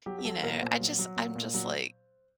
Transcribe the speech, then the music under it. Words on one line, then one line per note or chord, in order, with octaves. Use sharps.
you know, I just, I'm just, like
F#3 G4
G4
F#3 A4
A#2 A#4
A#2 C5
F#3
F#3
A#2
A#2
F#3